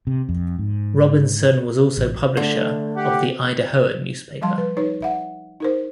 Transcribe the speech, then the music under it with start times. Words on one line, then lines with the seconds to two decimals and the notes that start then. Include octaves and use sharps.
Robinson was also publisher of the "Idahoan" newspaper.
0.07 C3
0.29 F2
0.59 G#2
1.97 A1
2.37 D3 A3
2.96 G4 F#5
4.42 F3 G3 F5 A5 C6
4.58 B4
4.77 D#4 B4 C#5
5.02 E5 F#5
5.60 D#4 A#4 C5